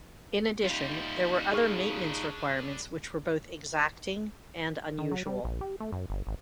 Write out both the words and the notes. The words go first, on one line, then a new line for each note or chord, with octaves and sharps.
In addition there were other maintenance requirements which were both exacting and unusual.
G3 D#4 F4
D4 G#4 B4 C#6 F6
D#3
F#3
G3
A#1
G4
A3
F#2
G1
G#1